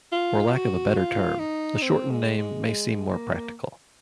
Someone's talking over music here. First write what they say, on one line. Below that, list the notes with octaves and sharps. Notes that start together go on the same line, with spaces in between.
For lack of a better term, the shortened name may seem more practical.
F4
F#4
F4
D#4
C4
G#3
G#3
G#3
A#3